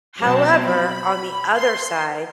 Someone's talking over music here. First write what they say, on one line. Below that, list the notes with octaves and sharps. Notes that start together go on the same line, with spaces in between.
However, on the other side,
B2 F#3 C4 A5
B5
C6